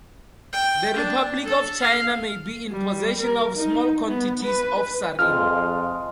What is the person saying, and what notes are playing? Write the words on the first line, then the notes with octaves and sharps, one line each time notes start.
The Republic of China may be in possession of small quantities of sarin.
G5
D4
A4
F5
G3
A#4
D#4
B3
B4
F2 F3 G#3 C6 F6